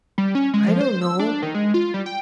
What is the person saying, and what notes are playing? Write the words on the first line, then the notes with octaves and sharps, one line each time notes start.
"I don't know."
G3
C#4
G#3
F3
C5
E6
D4
D#3
G#3
F4
G3
G5